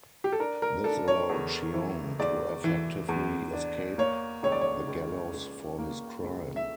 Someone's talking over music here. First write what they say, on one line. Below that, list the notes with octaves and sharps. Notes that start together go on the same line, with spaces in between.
This allowed Cheong to effectively escape the gallows for his crime.
G4
A4
D4 A#4
A#4
D4 A4
C#5
E2
E3
E2 D5
E3
E2
D4
A#3 C#5
C#2 C#5
D5
C#5
C#2
C#2
A#3
C#2
E5